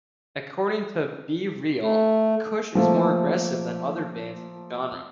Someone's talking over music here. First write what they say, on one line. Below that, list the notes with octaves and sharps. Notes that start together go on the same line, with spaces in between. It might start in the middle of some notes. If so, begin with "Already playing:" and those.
According to B-Real, Kush is more aggressive than other bands in the genre.
A3
F3 A3 A#3